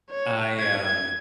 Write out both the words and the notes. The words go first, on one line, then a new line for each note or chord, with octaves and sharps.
I, um,
C#5
G#6